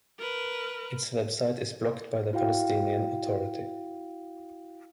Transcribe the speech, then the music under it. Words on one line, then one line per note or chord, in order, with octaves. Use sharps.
Its website is blocked by the Palestinian Authority.
A#4 B4
E4 F#4 F5 G5